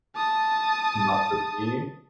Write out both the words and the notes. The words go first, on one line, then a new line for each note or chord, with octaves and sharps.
not just me."
A5 D#6